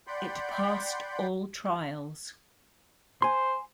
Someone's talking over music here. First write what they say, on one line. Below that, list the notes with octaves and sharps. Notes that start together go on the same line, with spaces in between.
It passed all trials.
D5 F#5 G5 B5 C6 G6
C5 G#5 C6